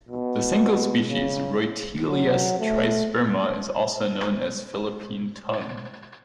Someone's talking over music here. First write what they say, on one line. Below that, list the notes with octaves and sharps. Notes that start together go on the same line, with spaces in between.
The single species, Reutealis trisperma is also known as Philippine tung.
B2
C#3
F#3
A3